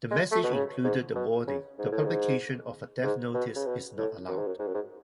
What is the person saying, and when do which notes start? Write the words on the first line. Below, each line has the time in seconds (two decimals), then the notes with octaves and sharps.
The message included the warning: The publication of a death notice is not allowed.
0.11 G#3
0.32 A3
0.44 B2
0.53 C#3
0.84 G#2
1.15 B2
1.47 C#3
1.79 G#2
1.92 A2
2.05 G#2
3.03 G#2
3.34 B2
3.56 C#3
3.66 B2
3.97 A2
4.28 F#2
4.38 G#2
4.47 F#2
4.59 G#2
4.67 F#2
4.74 G#2